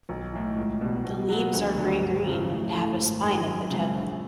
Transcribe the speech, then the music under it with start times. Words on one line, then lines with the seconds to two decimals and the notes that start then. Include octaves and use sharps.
The leaves are grey green and have a spine at the tip.
0.09 B1
0.33 A2 E3
0.57 C#2
0.81 B2 G3
1.05 B2
1.29 F#3 B3
1.53 D2
1.77 D3 F#3
2.01 G#1
2.25 F#2 C#3 F3
2.49 A2
2.74 E3 A3
2.97 G#1
3.22 F#2 D#3
3.46 F#2
3.70 C#3 F3 G#3 C4
3.94 A#1